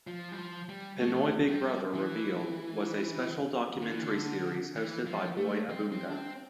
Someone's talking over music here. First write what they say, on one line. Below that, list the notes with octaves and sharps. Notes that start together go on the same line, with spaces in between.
"Pinoy Big Brother Revealed" was a special documentary series hosted by Boy Abunda.
F3
G3
F3
G3
A3
G3
E3
D3
E3
D3
E3
F3
A3
C4
C4
D4
C4